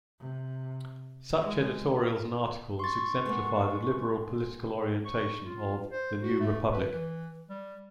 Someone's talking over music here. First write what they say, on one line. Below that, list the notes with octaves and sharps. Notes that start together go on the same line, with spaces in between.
Such editorials and articles exemplify the liberal political orientation of "The New Republic".
C3
G#3
C6 C#6 A6
G#3 A#3 B3
C#6
F4
C5
F#4
A3
B4
E3
G3